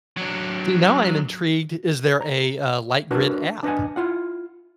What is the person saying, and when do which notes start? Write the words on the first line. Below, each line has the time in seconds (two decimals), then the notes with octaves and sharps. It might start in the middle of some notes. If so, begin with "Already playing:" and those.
See, now I'm intrigued. Is there a, uh, LightGrid app?
0.17 F#3 D4
2.21 A#5
3.11 D4 F#4 A#4 B4
3.63 D4 B4 D#5 F#5 G#5
3.96 E4 F4 F#5